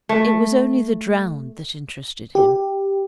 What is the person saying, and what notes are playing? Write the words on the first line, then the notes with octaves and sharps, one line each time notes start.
It was only the drowned that interested him.
A3
G4